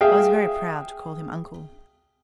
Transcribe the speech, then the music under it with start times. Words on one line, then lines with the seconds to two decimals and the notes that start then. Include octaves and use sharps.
I was very proud to call him uncle.
0.01 G#4 E5 F5 G5